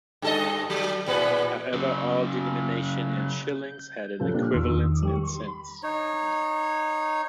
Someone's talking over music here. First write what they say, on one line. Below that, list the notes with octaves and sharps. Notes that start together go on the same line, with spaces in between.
However, all denomination in shillings had an equivalence in cents.
G2 A4 D#5
F#3
E2 A#2 B4
C#3 F#3
C#3 F3 A4
A#2 G3 D4
E2 D#3 C6 E6
D#3 G3 G4
D#4 C#5